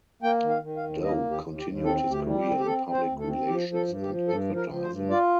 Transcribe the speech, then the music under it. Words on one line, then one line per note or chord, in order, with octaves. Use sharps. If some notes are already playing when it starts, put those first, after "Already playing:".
Dow continued his career in public relations and advertising.
A#3 G5
D#3
F5
D#3
F5
D#2
A#3 D#5
D#2
G4
D#2
G4
D#2
C4 A4
D2
G4
G3
G4
C4
G4
C4 A4
C4
C5
D2
A4
C4
F3 G4
F3
A4
G2
G4
F3
G2 A4
F3
A#4
F3
C5
G2
F4 D5